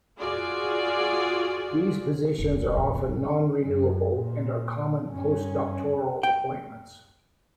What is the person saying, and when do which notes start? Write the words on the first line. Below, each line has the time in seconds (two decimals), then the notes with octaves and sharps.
These positions are often non-renewable and are common post-doctoral appointments.
0.19 F4 F#4 G#4 D5
2.38 E1
2.58 E1 B1
2.75 A#1 E2
2.95 C#2 C3
3.09 A2
3.61 F#2
4.14 A#2
5.09 G2 C#4
6.23 G5